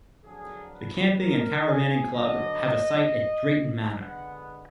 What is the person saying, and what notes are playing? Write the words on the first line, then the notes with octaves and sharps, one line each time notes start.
The Camping and cravanning club have a site at Drayton Manor.
F2 D3 F#3 A#3 D4 G#4
B4
A#4
G#4
D3 F#3 B3 D4 D#5
D3 G#3 B3 F#5